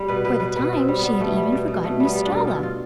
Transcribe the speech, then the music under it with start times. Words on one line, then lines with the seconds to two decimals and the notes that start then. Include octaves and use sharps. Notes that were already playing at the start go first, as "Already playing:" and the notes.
For the time she had even forgotten Estralla.
Already playing: G3 G4
0.08 B2 B4
0.24 B2 B4
0.40 B2 B4
0.56 B2 B4
0.73 B2 C4
0.88 G3
0.99 B3
1.04 G3
1.20 B2 A3
1.36 G3
1.52 B2
1.68 B2
1.84 B2 A3
2.00 G3 B3
2.15 G3
2.26 D4
2.32 B2
2.47 G2 F4
2.63 F4